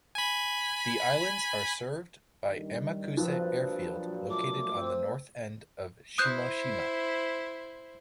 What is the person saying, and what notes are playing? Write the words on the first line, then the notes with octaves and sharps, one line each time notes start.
The islands are served by Amakusa Airfield, located on the north end of Shimoshima.
G#5 B5
G2 D#3 G3
A#1 G2 A#2 F3 F#3 C4 B4
A3 D6
C4
E4 C5 D#6 F#6 G6